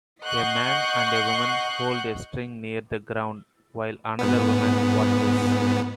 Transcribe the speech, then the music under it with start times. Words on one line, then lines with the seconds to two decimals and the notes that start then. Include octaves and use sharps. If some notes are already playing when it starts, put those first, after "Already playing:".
A man and woman hold a string near the ground while another woman watches.
0.25 D#5 F#5 C#6 F#6 G6 C7
4.19 G#2 B3